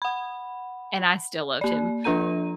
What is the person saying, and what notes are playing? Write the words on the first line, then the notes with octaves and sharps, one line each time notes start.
and I still loved him,
F#5 B5
A#3 D5
F3 D4 F4 A4 A#5 D#7